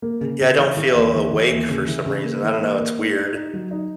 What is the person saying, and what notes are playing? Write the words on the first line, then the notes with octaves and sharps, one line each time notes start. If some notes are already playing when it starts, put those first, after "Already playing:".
Yeah, I don't feel awake for some reason, I don't know it's weird.
A#3
C#3
C#3
E3
E3
D#2
E3
E3
D#2
C#3
E3
C#3
A#3
E3
A#3
A#3
D#4
D#4
D#4
F#3
D#4